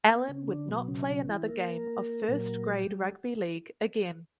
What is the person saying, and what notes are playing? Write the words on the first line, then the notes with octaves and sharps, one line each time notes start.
Allan would not play another game of first grade rugby league again.
B3
C#3 C#4
D3 D4
B2 F#3 B3
C#3 C#4
C#3 C#4
E3 E4
A#3 A#4
A#2 F#3 A#3 A#4
G3 G4